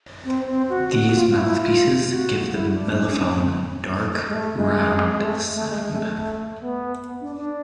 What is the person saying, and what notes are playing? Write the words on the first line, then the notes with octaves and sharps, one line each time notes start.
These mouthpieces give the mellophone a dark, round sound.
C4
C4
F#4
F#4
F4
F4
E4
F4
F#4
E4
D4
C#4
D4
C#4
G#3
A3
G#3
G#3
A3
A3
G#3
G#3
A3
A3
A3
B3
D4
D4